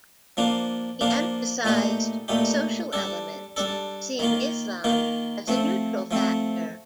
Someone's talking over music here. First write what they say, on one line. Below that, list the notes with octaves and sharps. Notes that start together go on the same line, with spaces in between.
He emphasized social elements, seeing Islam as a neutral factor.
F3 A#3 D4 F4
F3 A#3 D4 F4
A#2 A3 D#4 G4
A#2 A3 D#4 G4
G3 D4 A4
G3 D4 A4
D#3 A#3 F4
D#3 A#3 F4
F3 A3 C4
F3 A3 C4